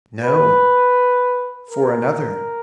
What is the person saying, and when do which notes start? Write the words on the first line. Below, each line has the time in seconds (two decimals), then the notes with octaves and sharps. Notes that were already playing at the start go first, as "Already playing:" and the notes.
"No; for another."
0.23 B4
1.71 A#4